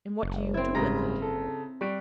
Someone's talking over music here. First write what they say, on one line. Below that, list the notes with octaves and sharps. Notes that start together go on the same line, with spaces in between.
"And what do you do with it?"
F#1
C4 E4
G#2 C#3 G3 G#3 A#5 A#6
A4
G3 C#6 F#6 D7